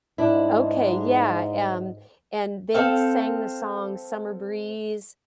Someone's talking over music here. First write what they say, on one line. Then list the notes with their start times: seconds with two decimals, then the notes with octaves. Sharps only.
Okay, yeah, um, and they sang the song "Summer Breeze,"
0.18 G#2 D4 E4
2.74 C4 A4 F5